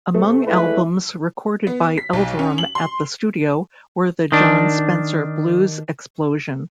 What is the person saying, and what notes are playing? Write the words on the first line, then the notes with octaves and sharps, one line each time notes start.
Among albums recorded by Elverum at the studio were the Jon Spencer Blues Explosion.
C3 A3
E2 G#3 E4 B4
B3
B6
B1
C#4
F#7
C6
D#3 D4